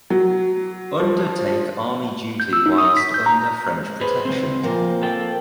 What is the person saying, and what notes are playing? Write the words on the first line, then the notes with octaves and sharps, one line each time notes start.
Under take army duty whilst under French protection.
F#3
F3
G6
E6
D#4
D#6
B6
G6
A#5
G#3
G#4 B4 C5
C#3 G3 C4
A#2 F3 A#3 C4
A4 G5